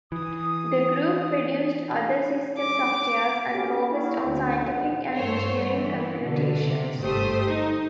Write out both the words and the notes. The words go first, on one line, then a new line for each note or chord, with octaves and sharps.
The group produced other system software and focused on scientific and engineering computations.
E3 D#6
D6
A3 B3 C#4 F#4 G4
A#3 E4 C#5
D2
A#1 E3 F#5
G2 A3 C5 C#5
E3 B3
B2 D3
C3
G1 G#2 A3 G4 C5 D#6
D#4